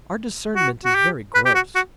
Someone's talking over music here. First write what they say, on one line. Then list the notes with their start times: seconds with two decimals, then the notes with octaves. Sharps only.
Our discernment is very gross.
0.56 F#4
0.85 F#4
0.95 G4
1.35 B4
1.45 G4
1.55 F#4
1.75 F#4